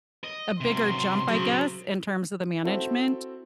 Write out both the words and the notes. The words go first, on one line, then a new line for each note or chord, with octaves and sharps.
a bigger jump, I guess, in terms of the management.
D#5
C3 F#3 C6
C#3 F#3 C5 A#5
C4 E4 F#4 A4 C5